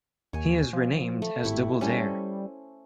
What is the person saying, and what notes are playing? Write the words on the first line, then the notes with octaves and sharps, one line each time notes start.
He is renamed as Doubledare.
D#2 C#5 G#5
F3
A3
G#1 E4 G4 C#6
G3 C#4 A4 C5